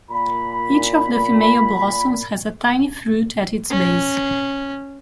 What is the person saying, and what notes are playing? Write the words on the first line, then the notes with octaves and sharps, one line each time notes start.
Each of the female blossoms has a tiny fruit at its base.
A#2 B5
C#4